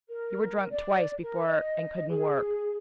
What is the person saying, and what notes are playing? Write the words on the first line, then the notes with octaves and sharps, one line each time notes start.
You were drunk twice before and couldn't work.
A#4
D5
A#4
D#5
G#4